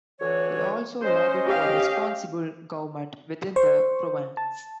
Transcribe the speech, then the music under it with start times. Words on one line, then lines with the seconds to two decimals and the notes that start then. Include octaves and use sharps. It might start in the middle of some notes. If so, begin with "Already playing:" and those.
He also lobbied for responsible government within the province.
0.20 D2 E3 C#5
1.04 C#4 C5 D#5
1.45 G4 F5
3.56 C5 C#6
4.37 A5